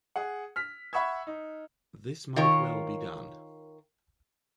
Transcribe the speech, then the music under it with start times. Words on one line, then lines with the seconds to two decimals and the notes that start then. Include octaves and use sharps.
This might well be done.
0.16 G#4 F#5
0.56 F6 B6
0.93 E5 F#5 B5 C#6 E6 G#6
1.27 D#4
2.36 D#3 F4 A#4 C#5